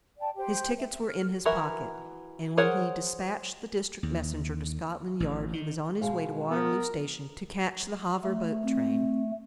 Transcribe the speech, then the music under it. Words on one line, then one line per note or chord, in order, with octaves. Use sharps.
His tickets were in his pocket, and when he despatched the district messenger to Scotland Yard he was on his way to Waterloo station to catch the Havre boat train.
D5 G5 A5
G4 C5 G5
E5
F6
E3 F#4 A#4 E5
G#4 A#4 C5 C#5 F#5
D#2
A1
D#3
B2 G#3 F5
B3 A#4
A3
C4